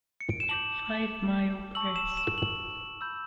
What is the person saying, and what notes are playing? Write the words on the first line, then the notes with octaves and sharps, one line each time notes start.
Five Mile Press.
C#7
D7
E7
A5 D6 G6 F#7
A5 C#6 E6 F#7
E7
E7
F#7
B5 E6 G6